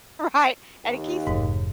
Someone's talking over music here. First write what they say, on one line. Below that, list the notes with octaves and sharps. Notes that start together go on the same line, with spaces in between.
Right? And he Keith's
D#2
F1 G#2